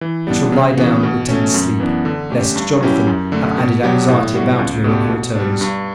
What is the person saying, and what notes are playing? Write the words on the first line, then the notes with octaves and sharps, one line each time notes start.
I shall lie down and pretend to sleep, lest Jonathan have added anxiety about me when he returns.
E3
G3 B3 D4
C#3
E3 B3 F#4
B2
A3 C#4
F#2
E3 B3 D4
D3
A3 C#4 G4
G2
F#3 C#4 E4 G4
F#2
D3 A3
B2
F#3 B3 D4 G4
A2
G3 B3 F#4
C#2
B2 A3 D4 G4
B2
G3 D4
G2